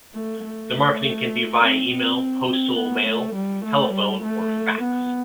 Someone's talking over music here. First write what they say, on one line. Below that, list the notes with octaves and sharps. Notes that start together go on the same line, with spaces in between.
The marketing can be via e-mail, postal mail, telephone, or fax.
A3
A3
C4
C4
C4
B3
A3
G3
A3
G3
A3
B3